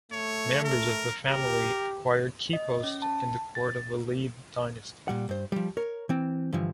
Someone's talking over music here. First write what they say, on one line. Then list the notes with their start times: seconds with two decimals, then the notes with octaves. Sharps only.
Members of the family acquired key posts in the court of the Lý dynasty.
0.12 A3 C#5
0.64 A#4
1.28 G4 A#4
2.53 D#5
2.84 C#4
3.02 A5
3.55 A6
5.08 A#2 G3 F#5
5.29 G2 C5
5.52 F3 G3
5.77 A#4 C#5
6.09 E3 C4
6.53 G2 D3 E3 F3